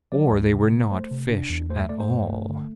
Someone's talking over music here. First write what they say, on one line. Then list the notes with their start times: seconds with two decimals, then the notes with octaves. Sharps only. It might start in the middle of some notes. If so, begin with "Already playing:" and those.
Or they were not fish at all.
0.12 F#3 D5
0.31 D2
0.52 C3
0.71 A3
0.91 A3 C5
1.11 C3
1.30 D4
1.50 E2
1.70 A3 C5
1.79 E5
1.89 A3 D5
2.00 C5
2.10 G2
2.29 A3
2.49 D3